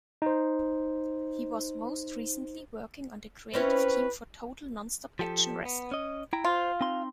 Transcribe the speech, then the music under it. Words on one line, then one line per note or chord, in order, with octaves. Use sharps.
He was most recently working on the creative team for Total Nonstop Action Wrestling.
D#4 C5
C4 C#4 E4 B4
F3 G4 A4
B3
C#4 D#5
E4 G5 A#5
F4 C5
C4 D#4 C6